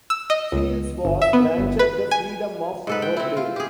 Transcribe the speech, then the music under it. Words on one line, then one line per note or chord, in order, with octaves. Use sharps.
Fields was granted the Freedom of Rochdale.
E6
D#5
C#2
G1
E5
B3
G1
B4
G#5
G#2 A4 B4
G5
C4 E4
F4
G4 G#4